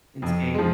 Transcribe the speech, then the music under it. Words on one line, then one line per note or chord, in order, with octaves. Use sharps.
in Spain?
F2
F3 G#3